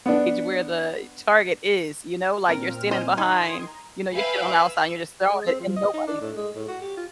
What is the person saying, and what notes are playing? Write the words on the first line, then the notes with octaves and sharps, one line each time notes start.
where the target is, you know? Like you're standing behind, you know, you're standing on the outside and you're just throwing it and nobody's
B3 D4
A#2 C4 A#4 F6
C5 D#5 G#5
D#3 D#4 G#5 C6 D#6 G#6
A#5
B4 E5 F5 G5 G#5 B5
E6
G#3
C4
F3
D#5
D#4
D4
A2
G#3
A2
F#4
G4
F4